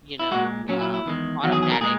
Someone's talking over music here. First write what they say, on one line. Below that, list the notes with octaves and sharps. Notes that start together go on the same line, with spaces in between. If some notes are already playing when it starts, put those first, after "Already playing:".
you know, um, automatic
E4
A#2 G#3 F#4
A#2 F#3 C#4
E4
E4
E2 D#3 G#3
E2 D#3 F#3 F#4
G#4
G#4
A#4
A#2 G#3 G#4